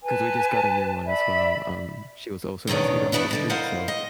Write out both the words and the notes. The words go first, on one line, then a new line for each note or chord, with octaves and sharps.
'cause we just got a new one as well. Um, she was also rescued off the street, so
B4 G#5 A5
D5 E5 B5
E2 B2 D#3 C#4 D4
G2 G3 B3 D4 E4
B2 D3 G3
E4 A#4 C5 D#5 F5 F#5
D#5